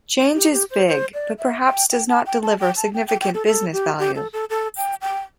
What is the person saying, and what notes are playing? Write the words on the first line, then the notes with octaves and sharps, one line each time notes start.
Change is big but perhaps does not deliver significant business value.
G4
G4
C5
C5
D5
E5
G5
G5
A5
G5
A5
G5
A5
G5
G5
G5
A4
A4
G4
G4
A4
A4
A4
G5
G5